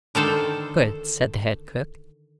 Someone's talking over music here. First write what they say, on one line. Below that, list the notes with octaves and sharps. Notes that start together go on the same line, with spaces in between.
'Good,' said the head cook.
D3 D#3 A4 C5